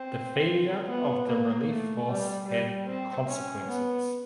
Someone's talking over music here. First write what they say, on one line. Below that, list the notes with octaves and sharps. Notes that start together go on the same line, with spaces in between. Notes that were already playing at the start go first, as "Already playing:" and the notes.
The failure of the relief force had consequences.
Already playing: C4
B3
A#3
A3
G3
G3
C4
C#4
B3